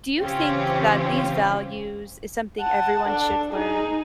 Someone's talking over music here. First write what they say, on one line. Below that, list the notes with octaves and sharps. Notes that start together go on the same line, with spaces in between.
do you think that these values is something everyone should learn?
C#3 E3 C4 C#4 F4 G4
F#5 A5
D4 A4
D#4 G#4